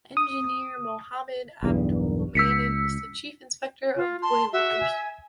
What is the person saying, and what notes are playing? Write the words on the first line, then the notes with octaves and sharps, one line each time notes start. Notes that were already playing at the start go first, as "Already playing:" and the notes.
Engineer Mohammad Abdul Mannan is the Chief Inspector Of Boilers.
D#6
B1 E2 G2
C#2 E6 B6 C#7
F4
A5 C6
F#4 E5
G#5